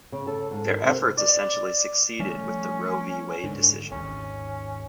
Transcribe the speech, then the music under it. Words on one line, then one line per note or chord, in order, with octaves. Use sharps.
Their efforts essentially succeeded with the "Roe v Wade" decision.
C#3
A4
G#2
D#3
C3
D5
F3 G3 A3 C#4
G#2 D3
G#1 D#2 C#4